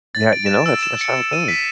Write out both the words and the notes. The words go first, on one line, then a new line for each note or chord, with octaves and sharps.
Yeah, you know, that's that's how it goes.
A6
D7
E7
E6
E7
C#7
D#7
B6